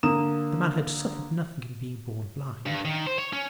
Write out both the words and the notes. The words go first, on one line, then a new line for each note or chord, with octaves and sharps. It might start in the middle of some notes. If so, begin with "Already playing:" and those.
The man had suffered nothing in being born blind.
D3 A#3 A#5 D#6 E7
G2
D#3
C5
C#5
C#4